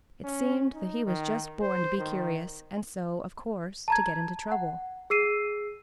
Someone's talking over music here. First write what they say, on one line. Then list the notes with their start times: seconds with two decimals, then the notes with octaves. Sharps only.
It seemed that he was just born to be curious and so, of course, to get into trouble.
0.24 C#4
0.73 D#4
1.06 D#3
1.61 C5
1.98 D#3
3.88 A5 A#5 G#6
4.52 F#5
5.10 G#4 E6 C7 D#7